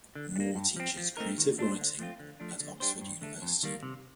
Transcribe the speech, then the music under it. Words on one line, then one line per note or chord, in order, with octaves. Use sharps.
Moore teaches Creative Writing at Oxford University.
D3
G3
A#3
G2
F3 C4
F3
A3 C4 D#4 A#4
D#3
A3 D4 A4 C5
D3
F3 A3 C4 F4
D3
F3 A3 D4
D3
G3 D4 G4 C5
G2
D3 A3
F2
D#3 G3 A#3
C3